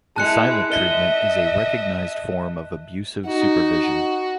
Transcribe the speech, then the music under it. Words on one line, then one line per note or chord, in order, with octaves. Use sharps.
The silent treatment is a recognized form of abusive supervision.
G#3 E4 A5 F#6 C#7
D#5 E5 G7
D#4 F#4